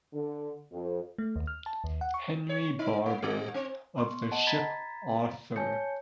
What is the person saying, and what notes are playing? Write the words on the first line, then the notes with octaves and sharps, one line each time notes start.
Henry Barber, of the ship "Arthur".
D3
F2
A3
D#2
F6
A5
D#2
F#5
C#6
C#5
D#4
A#3
G3
C4
B3 C6 C#6
D#5 F#5 A5
A#5 B5 G#6 A6 B6
C#5 G#5 A5 G6 C#7